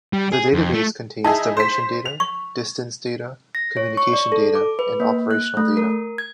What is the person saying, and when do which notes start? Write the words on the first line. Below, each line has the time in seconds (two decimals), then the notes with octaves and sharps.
The database contains dimension data, distance data, communication data and operational data.
0.13 G3
0.32 G#4
0.53 F2
0.74 A3
1.24 D#4 E4 G#4 A5
1.57 C5 B6
2.06 F7
2.20 C#6
3.55 A#6
3.77 C#5
3.97 C#6
4.13 D5
4.32 A4
4.55 D6
4.79 B4
5.00 A#3
5.31 F#6
5.57 A3
5.77 A#4
6.18 G#6